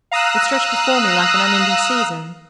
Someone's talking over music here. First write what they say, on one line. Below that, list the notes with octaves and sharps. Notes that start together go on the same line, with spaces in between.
It stretched before me like an unending season.
F5 A#5 D#6 E6 F#6